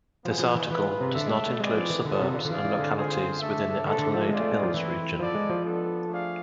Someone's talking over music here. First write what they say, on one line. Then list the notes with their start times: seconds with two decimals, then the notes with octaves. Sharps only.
This article does not include suburbs and localities within the Adelaide Hills region.
0.25 F3 B3 F4 G#4 B4
0.39 F3
0.55 E3
0.70 E3 B3 F4 G#4 B4
1.00 C3
1.15 D3 D4 A4 E5
1.26 G#3
1.48 A3
1.60 G#3 C4 G#4 B4 D5
1.74 F3
1.90 E3
2.05 D3 B3 F4 A4
2.20 C3
2.34 D3
2.45 D3
2.50 E3 C4 G#4 D5 F5
2.64 E3
2.79 D3
2.94 C4 F4 G#4 C5 F5
3.40 A3 D4 A4 E5
3.84 D3 A3 D4 A4 E5
3.99 D3
4.14 F3
4.29 G#3 C4 F4 G#4 D5
4.40 A3
4.52 G#3
4.63 F3
4.74 E3 A3 C4 E4
5.19 F3 B3 E4 A4 D5
5.34 G#3
5.49 F3
5.64 B3 D4 A4
6.09 A3 D4 G#4 D5 F5